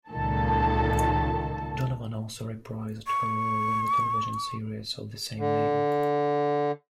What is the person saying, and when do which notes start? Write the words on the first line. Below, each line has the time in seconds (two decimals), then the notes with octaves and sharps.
Donovan also reprised her role in the television series of the same name.
0.10 C#2 A#2 D#3 A4 A5
3.07 C#6
5.38 D3